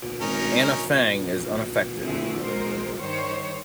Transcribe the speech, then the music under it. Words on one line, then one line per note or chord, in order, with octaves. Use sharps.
Anna Fang is unaffected.
G#1 C#4 D#4 A#4
D3 A3 C4 E4 G#4
G#3 A#4 C5
G2 D#3 C5 C#5